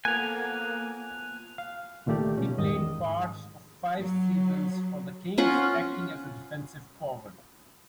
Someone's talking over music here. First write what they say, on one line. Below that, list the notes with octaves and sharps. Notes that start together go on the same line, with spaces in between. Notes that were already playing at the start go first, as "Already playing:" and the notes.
He played parts of five seasons for the Kings, acting as a defensive forward.
F3 A#3 B3 A4 G#5 F#6 F7
F5
C#2 A#2 D#3 A3 G4 D5
B2 D3 C#4
E2 G#2 D#3 D#5 D#6
F#3
C#4 F4 F#5